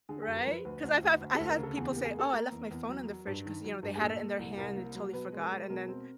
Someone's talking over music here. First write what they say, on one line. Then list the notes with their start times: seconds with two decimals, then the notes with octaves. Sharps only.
Right? 'Cause I've have I've had people say, "Oh, I left my phone in the fridge," 'cause, you know, they had it in their hand and totally forgot, and then
0.09 D3 G#4
0.23 F#2 G#4
0.37 A#4
0.47 F3 B4
0.65 D2 B4
0.83 D2
1.02 D2
1.21 D2
1.35 A4
1.40 D2
1.49 A#4
1.59 C#3 A4
1.77 E2 G#4
1.91 A#3 G4
2.05 G#4
2.15 A#3 A4
2.33 A#3 A#4
2.52 E2
2.71 E2
2.89 F#3
3.08 F#3
3.27 G2
3.45 D#3
3.64 F#3
3.83 G2
3.95 G#4
4.01 A#2 A4
4.20 A#2
4.39 C2
4.57 C2 A#4
4.76 A#3
4.95 F#3
5.13 B2 B4
5.32 G#3
5.41 A#4
5.51 G#3
5.70 B2 A#4
5.88 C4